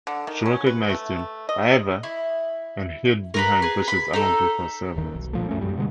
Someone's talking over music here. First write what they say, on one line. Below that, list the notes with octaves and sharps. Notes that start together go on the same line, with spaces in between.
She recognised him, however, and hid behind bushes along with her servants.
D3
D#3
C#4
B4
A3
D#5
E4
A#4 B4 B5
G#4 B4
B5
D#4 A4
D#1 D#3
B1
A#2 F3 A3
F#2 A3 C#4
F#2 G3
B2 D3 G3 G#3